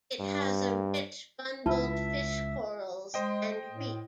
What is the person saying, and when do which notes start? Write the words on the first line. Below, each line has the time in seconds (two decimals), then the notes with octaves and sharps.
It has a rich bundled fish corals and reef.
0.20 G2
1.66 C#2 E4 F4 B4 E5 A5
3.14 G#3 C5 D#5 G5
3.70 A2